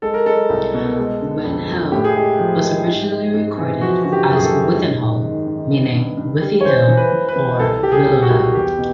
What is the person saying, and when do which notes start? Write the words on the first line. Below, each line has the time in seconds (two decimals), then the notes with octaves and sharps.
Win Hill was originally recorded as "Wythinehull", meaning "Withy Hill" or "Willow Hill".
0.02 G#3 A4
0.14 A#4
0.26 G#3 A4
0.50 C2
0.74 B2
0.97 G#3
1.21 D3
1.44 F2
1.68 F2
1.92 A2 G4
2.04 G#4
2.16 G#3 G4
2.39 F3
2.62 G#3
2.86 G#2
3.09 G#3
3.34 G#2
3.58 E3
3.81 F3 F#4
4.03 D3 F#4
4.12 G4
4.28 F#2
4.35 G#4
4.44 A4
4.52 F#2
4.76 G#2
4.99 G#2
5.23 D#3
5.46 D#3
5.70 G2
5.95 G2
6.17 G2
6.41 G3
6.61 C#5
6.65 E3 C5
6.88 E3
6.97 B4
7.12 E3
7.29 B4
7.36 E3
7.59 C2 A4
7.83 G3 G4
7.92 G#4
8.07 C2
8.22 F#4
8.30 C2
8.54 E2 G4
8.78 B2